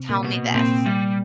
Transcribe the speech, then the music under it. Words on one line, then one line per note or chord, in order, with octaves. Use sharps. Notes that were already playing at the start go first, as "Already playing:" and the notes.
tell me this."
Already playing: C3 C4
A#2 A#3
B2
A#2 A#3 C4
G3